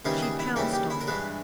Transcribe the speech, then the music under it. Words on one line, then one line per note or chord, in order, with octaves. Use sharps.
She pounced on it.
D#2 C#3 E3 G3 G#4
G#4
E4
D#2 C#3 E3 G3 E4
G4
E4
A#4
G2 E3 G#3 B4